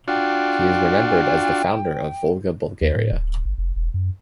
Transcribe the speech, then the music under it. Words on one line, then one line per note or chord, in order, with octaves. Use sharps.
He is remembered as the founder of Volga Bulgaria.
D4 F4 F#4 G5
D#2
A2
D1
G1
F1
E1
F#2